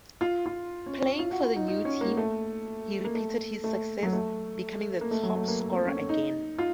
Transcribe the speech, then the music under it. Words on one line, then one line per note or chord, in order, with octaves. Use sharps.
Playing for the new team, he repeated his success, becoming the top scorer again.
F4
F4
C#4
C#4
F4
F#4
F4
D#4
D#4
C#4
A#3
A3
A#3
A3
A3
F#3
A3
A#3
A3
F#3
A3
A#3
A#3
C4
C#4
C#4
D#4
F4